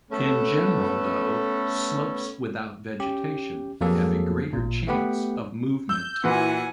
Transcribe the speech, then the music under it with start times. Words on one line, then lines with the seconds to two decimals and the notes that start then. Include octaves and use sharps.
In general, though, slopes without vegetation have a greater chance of movement.
0.11 A3 B3 C#4 A4 B4
3.00 C#4 G4
3.81 F2 F#3 A#3 G#4 A4
4.53 A1 A#2
4.87 A3 B3 G4 B4 F#5
5.89 E6 G6
6.24 A#2 E3 F#4 B4 F#5 G#5